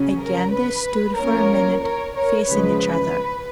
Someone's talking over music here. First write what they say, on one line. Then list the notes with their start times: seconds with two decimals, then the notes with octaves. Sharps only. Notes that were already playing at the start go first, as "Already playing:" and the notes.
Again they stood for a minute facing each other.
Already playing: C#3 F#3 C#4
0.19 A#4
0.52 B4
1.17 F3 A#3 C#4 A#4 C#5
1.83 A#4 C#5
2.15 A#4 C#5
2.48 C#3 F3 G#3 B4